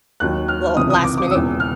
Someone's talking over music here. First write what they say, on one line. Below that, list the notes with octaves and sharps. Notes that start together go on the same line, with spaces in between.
Well, last minute.
D#2 D#3 F#3 F#6
F6
C#2 C3 E3 D#6
D#6
D6
D6
D#6
E1 E2 C#3 F3 E6
F6